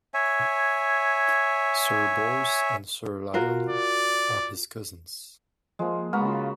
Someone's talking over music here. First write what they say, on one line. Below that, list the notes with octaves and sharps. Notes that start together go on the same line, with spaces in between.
Sir Bors and Sir Lionel are his cousins.
C#5 E5 G#5
F4 F#4 A#4
D5
F3 G#3 A#3
C#3 G#3 B3 F#4 A#5 B5
F4